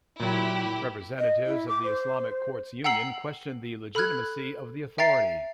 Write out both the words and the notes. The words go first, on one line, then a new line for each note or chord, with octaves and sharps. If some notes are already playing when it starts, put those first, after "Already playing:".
Representatives of the Islamic Courts Union questioned the legitimacy of the authority.
A#2 F#3 E4 G4
D#5
E4
D6
C5
F#5 G5 A#5 E6 C7 F#7
A4 B5 F6 F#6 G#6
E5 G5 A#5 A6 C7